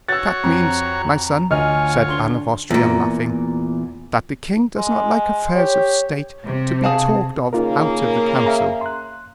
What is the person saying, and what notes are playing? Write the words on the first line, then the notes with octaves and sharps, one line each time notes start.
"That means, my son," said Anne of Austria, laughing, "that the king does not like affairs of state to be talked of out of the council."
F#4 C#5 E6 A6
F2 A#5
D2 F4 C#5 D#5 G#5 F6
D4 C6 G7
E2 A#2
G#3
G4 C#5
C3
G#4 F5 A5
C#3 A#3 D#4 F4 A#4
E5 F5 A#5
C6 F#6